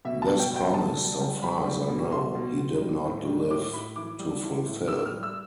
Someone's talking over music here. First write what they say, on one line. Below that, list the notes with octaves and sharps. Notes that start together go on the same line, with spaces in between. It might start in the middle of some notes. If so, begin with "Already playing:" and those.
This promise, so far as I know, he did not live to fulfill.
B2 E5
A5
B2
G5
G3
G5
B2 A5
G3
G3
G3 B5
G3
B2
G3 C6
B2
B2
G3
A2
G3
A2 D6
A2 B5
E3 D6
G3
E3
A2
A2 E6
F6
G3
E6